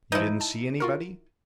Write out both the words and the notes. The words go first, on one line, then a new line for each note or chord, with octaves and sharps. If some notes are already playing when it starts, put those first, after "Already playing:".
"You didn't see anybody?"
E3 F3 D#4 E4
A5
F4 F#4 A#4